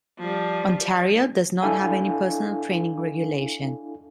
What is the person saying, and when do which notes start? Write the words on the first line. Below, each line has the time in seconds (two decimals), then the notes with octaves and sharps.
Ontario does not have any personal training regulation.
0.19 F3 G3
1.62 D4 E4 A4 F5 G#5